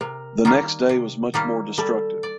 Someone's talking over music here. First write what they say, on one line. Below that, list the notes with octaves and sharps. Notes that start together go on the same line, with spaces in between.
The next day was much more destructive.
C3 A#4
D#3 G3 A#3
C3
D#3 G3 A#3
G3 A4
D5